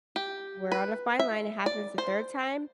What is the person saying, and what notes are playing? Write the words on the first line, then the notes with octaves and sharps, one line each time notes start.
we're on a fine line. It happens a third time,
G4
B4
E5
D5
C5